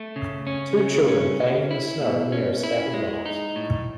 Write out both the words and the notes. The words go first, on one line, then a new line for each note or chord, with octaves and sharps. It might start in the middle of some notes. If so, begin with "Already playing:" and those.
Two children playing in the snow near a stack of logs.
Already playing: A3
C#3
C#4
C#3
C#4
C#4
E4
B2
C#4
E4
G#3
D#4
A2